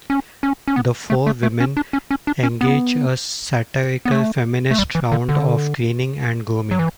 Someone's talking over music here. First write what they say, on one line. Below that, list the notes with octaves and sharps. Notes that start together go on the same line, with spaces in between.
The four women engage a satirical feminist round of cleaning and grooming.
C#4
C#4
C#4
B3
A3
A3
A3
C#4
D4
C#4
C#4
D4
C#4
B3
B3
A3
A3
G3
E3
D3
D3
F#3
E3